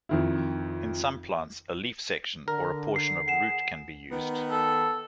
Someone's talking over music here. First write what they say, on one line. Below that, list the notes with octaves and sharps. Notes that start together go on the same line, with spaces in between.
In some plants, a leaf section or a portion of root can be used.
F2 D#3 E4
D3 A#4
C7
G#4 F#5 C7 E7
D#3 B3
A4